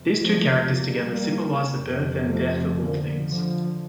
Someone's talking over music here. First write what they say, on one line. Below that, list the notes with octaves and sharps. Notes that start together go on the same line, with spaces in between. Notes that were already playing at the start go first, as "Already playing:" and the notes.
These two characters together symbolize the birth and death of all things.
Already playing: F2 C3
F3 A3
G3 A#3
F2 C3
F3 A3
D3 F3
D3 F3